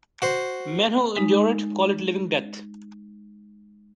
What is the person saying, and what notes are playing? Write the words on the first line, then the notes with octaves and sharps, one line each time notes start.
Men who endure it, call it living death.
F#4 C5
G#3 D#4